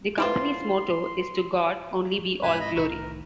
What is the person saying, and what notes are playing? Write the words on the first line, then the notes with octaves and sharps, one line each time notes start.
The Company's motto is "To God Only Be All Glory".
D3 C4 E4 F4 B4 C6
G#2 C3 G#5 B5 F#6
D#5 B5
C2 A2 D#3 D#4 B5 C#6
A#4